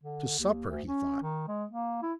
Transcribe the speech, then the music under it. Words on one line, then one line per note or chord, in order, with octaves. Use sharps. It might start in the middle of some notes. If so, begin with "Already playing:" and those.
"To supper!" he thought.
D3
D#2
D2
C#4
D#3
G#3
A#3
E4